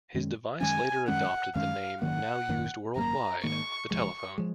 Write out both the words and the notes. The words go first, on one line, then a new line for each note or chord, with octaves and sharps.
His device later adopted the name now used worldwide, the telephone.
F#2 D#3 G#3 C#4
F#2 D#3 G#3 C#4 G#5
F#2 D#3 G#3 C#4 F#5
F#2 D#3 G#3 C#4 F5
G#1 F#2 D#3 A#3 F#5
G#1 F#2 D#3 A#3
G#1 F#2 D#3 A#3 A#5
G#1 F#2 D#3 A#3 C#6
F#1 F#2 F3 G#3 C#6
F3 G#3